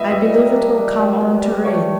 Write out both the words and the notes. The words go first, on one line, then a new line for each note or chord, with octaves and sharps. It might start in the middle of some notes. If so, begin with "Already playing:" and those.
I believe it will come on to rain.
Already playing: B3 D#5 E5
G3 D#5
A#3
D4
D4
G3
B2
G3
A3 C#5